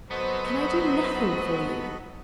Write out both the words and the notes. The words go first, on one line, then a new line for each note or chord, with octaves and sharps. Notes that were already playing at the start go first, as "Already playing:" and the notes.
Can I do nothing for you?'
F#3 B3 F#4 A4 C5 D#5 B5